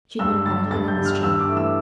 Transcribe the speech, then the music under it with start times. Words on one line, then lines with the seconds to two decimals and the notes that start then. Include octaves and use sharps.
She'd been paddling in the stream.
0.19 G2 E6
0.45 D3 G3 A6
0.71 G2 A6
0.88 G6
0.97 D3 G3
1.06 F6
1.23 G2 E6
1.40 D6
1.48 E3 A3
1.57 E6